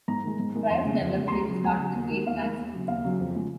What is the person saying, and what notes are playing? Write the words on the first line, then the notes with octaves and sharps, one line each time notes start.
Prior to development, it was part of the Great Black Swamp.
G#2 A#5
D#3 G#3
G#2
D#3 G#3
F2 C6
C#3 G#3
F2
C#3 G#3
C6
C#2 A#5
C#3 F#3
C#2 G#5
C#3 F#3
D#2
D#3 G#3
D#2 F5
D#3 G#3
D#2
C#3 F#3
D#2 F5
C#3 F#3
F2
C#3 F3 G#3